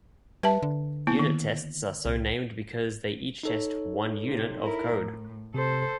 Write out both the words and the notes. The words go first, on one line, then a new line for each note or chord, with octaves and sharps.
Unit tests are so named because they each test "one unit" of code.
G3 B4 E5 A5
D3
A#3 B3 E4
D#3
C2
D#4 A4 C#5
C3
E4 A#4
A2
C3 A4 C5